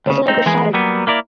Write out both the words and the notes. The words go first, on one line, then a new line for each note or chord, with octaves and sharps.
His leg was shattered.
D2 A2 C#3
C4 D#4
E3 G#3 B3 G#4 A#4
F#3 G3 A#3 B3
A#3 E4 A#4 D5